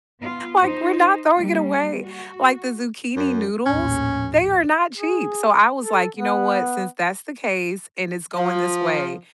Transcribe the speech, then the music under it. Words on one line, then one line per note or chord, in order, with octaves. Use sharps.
like, we're not throwing it away, like, the zucchini noodles? They are not cheap, so I was like, "You know what? Since that's the case and it's going this way"
B3 F4
D#4 C5
G3 A#3
F#4
F#2
A#1 D#2 A2 C#4
G#4
A4
B3
F3